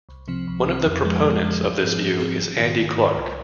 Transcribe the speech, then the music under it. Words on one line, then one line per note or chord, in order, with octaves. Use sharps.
One of the proponents of this view is Andy Clark.
C2
C3 F3 C4
C2
C3 F3 C4
F2
F3 G#3
F2
F3 G#3
G#1
G#2 F3 C4 G#4
G#1
G#2 F3 C4 G#4
G#1
G#2 D#3
G#1
G#2 D#3
C2